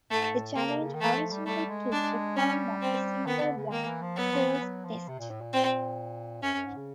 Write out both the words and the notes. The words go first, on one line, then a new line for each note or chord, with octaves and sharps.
The challenge originally took the form of a single blind taste test.
G#2 A3
A2
C#3 A#3
C3
C#3
D#3
E3 A3
F3
G3
G3 A3
G#3
D4
G3 C#4
C4
D#3 B3
D3
C#3
D#3 A#3
E3
F3
F#3 B3
F3
E3
F#3
F3
C3
A#2
A2
A#2
C4
F#2 C#4
F#2
G#2
C#3